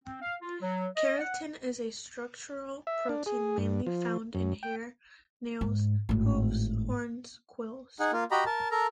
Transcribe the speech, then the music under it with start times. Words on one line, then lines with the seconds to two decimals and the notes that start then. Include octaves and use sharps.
Keratin is a structural protein mainly found in hair, nails, hooves, horns, quills.
0.05 C4
0.22 F5
0.41 F4
0.61 F#3
0.96 D#5
1.19 F#5
2.87 E5
3.09 D4
3.26 G#4
3.58 G2
3.86 F3
4.35 F#2
4.63 G5
5.61 G#2
6.09 G#1 A2
8.00 D#4 G#4 F#5
8.12 A#3 F4
8.31 F#4 G4 D#5 A#5 B5
8.46 A#4 A5
8.71 A4 A#4 A#5